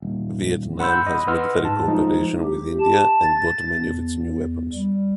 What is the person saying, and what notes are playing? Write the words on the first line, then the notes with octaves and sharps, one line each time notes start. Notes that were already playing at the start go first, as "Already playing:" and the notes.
Vietnam has military cooperation with India and bought many of its new weapons.
D#1
F#5 B5 C6 E6 G6
D#5 B5
B4 D#5 F#5 C6 E6 F6
G#2 A5
F3 G#3 D#4
G4
A5
A6
E2
G3